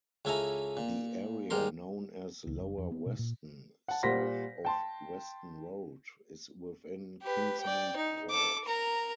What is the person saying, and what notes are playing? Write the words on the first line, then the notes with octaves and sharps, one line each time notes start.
The area known as Lower Weston, south of Weston Road, is within Kingsmead ward.
C#2 C#4 E4 A4 G#5 A#5
A#2
G#2 G3 A#4 C6
C#2
F#1
F2
B3
B2
A#2
F#5 A5
A#2 G3 C5 F#5 A#6 B6
G5 A5 C6
G4 B4
D5 G5
D#4
A4 D6
A#4 A#5